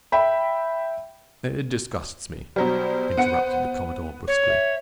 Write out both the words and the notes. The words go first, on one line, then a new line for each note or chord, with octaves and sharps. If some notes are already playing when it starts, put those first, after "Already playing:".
"It disgusts me," interrupted the commodore brusquely.
E5 G5 B5
B2 F#3 G3 C5
B3 F#5 C#7
C#5
E5